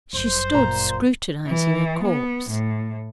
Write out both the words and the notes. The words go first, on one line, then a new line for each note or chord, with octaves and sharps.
She stood scrutinising a corpse.
G1 F#2 C5
A#2 A#5
E3
B3
A2